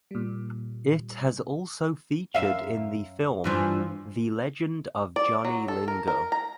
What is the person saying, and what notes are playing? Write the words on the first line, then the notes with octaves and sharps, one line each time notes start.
It has also featured in the film"The Legend of Johnny Lingo".
A#2 G3
F#2 E5 F5
G2 E3 F3
D5
F#3
A4
A#4
A#4
A#5